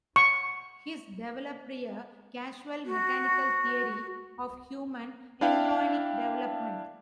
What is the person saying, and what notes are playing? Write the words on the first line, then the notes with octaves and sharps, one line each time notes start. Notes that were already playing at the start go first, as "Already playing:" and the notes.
His developed a "causal-mechanical theory" of human embryonic development.
C#6
F#4
D4 E4 F5 G5